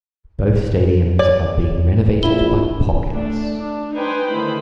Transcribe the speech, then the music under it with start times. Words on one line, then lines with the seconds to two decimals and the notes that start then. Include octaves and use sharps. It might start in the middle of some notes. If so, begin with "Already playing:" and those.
Both stadiums are being renovated by Populous.
1.19 C#5 D5
2.23 A#1 E4 G7
3.12 A3 D4
3.57 D4
3.94 D#4 B4 C5 G5 G#5
4.31 D3 D#3 A3 E4 C5 B5